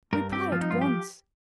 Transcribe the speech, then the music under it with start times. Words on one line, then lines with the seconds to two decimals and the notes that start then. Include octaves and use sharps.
Reply at once.
0.13 G2 A#4
0.32 C4 G4
0.52 F3 F4
0.61 D#4
0.71 G2 F4
0.81 G4